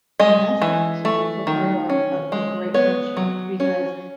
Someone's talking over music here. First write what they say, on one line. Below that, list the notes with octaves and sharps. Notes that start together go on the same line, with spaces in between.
And that's the most beautiful part about a a great friendship, because
G#3 D#5
E3
A3
D#3
C#4
G#3
B3 C#5
F#3
C#4